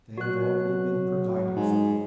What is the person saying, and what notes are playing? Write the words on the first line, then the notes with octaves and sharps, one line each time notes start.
They have already been provided for.
F#3 F#4 F#6
G#2